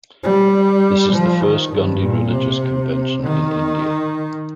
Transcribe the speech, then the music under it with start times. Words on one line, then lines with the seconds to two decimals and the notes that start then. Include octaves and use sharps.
This is the first Gondi religious convention in India.
0.23 G3
1.13 F3
1.42 D#3
1.73 G2
2.02 A#2
2.32 C3
3.23 D#3